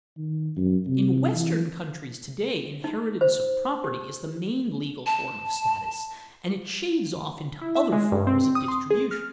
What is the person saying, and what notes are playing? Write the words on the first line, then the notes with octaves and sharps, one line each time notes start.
In western countries to-day inheritance of property is the main legal form of status and it shades off into other forms of distribution.
D#3
F#2
C3
E3
D#4
C5
G4
A5
E4
E5
G#3
G2
C4
D#6
C6
G#4
F6